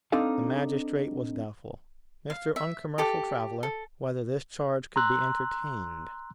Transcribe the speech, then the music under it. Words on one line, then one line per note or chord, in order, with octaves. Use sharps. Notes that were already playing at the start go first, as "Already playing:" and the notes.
The Magistrate was doubtful, Mr. Uncommercial Traveller, whether this charge could be entertained.
C4 D4 D#4 A4 F5
F5
E5
G4 A4 D6
A4
A#5 C6 E6 F#6